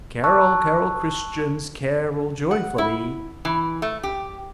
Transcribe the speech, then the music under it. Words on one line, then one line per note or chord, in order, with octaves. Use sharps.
"Carol, carol, Christians, Carol joyfully."
A5 C#6 E6 F#6
F#5
E4
E3
A3
G4